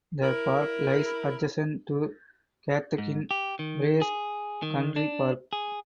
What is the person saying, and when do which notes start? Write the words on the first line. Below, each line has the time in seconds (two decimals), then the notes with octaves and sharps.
The park lies adjacent to Cathkin Braes Country Park.
0.22 E4 A#4
2.98 G#2
3.31 G4
3.59 D#3
4.02 G#4
4.62 D#3
4.96 D4
5.53 G#4